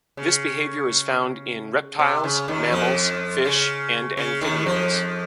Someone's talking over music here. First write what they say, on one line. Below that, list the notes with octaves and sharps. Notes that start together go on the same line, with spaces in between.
This behaviour is found in reptiles, mammals, fish and amphibians.
C#3
C3
C#3
D#2 D#3
F2 F3
C#3
C#3
D#2 D#3
F2 F3